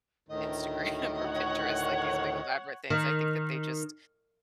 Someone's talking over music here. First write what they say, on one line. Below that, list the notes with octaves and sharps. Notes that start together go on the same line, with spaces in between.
Instagram or Pinterest, like these big elaborate things. I think that they just
D2 A2 D#3 D#5
C#5 F#5
D#3